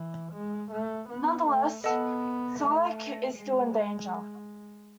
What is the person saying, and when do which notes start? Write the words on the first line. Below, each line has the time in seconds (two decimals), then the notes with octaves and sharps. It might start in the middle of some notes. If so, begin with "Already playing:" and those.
Nonetheless, Solek is still in danger.
Already playing: E3
0.33 G#3
0.72 A3
1.09 B3
1.47 A3
1.84 B3 A4 D#5 F#5 A5 E6
2.60 A3
3.36 G#3